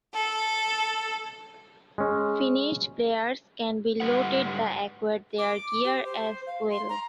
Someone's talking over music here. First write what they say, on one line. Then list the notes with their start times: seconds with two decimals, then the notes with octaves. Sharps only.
Finished players can be looted to acquire their gear as well.
0.12 A4
1.98 G#3 C#4
4.00 G#2 G3 F#4 B4 F#5
5.38 D6
5.84 G4
6.05 C5
6.47 F5
6.70 C6
6.89 A#5